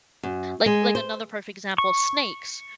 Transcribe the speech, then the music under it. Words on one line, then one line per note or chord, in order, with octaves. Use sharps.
Like like, another perfect example, snakes,
F#2
G#3
C5
C#6